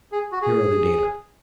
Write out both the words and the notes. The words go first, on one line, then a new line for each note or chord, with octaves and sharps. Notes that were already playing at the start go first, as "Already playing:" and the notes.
Here are the data.
G#4
F#4
G#4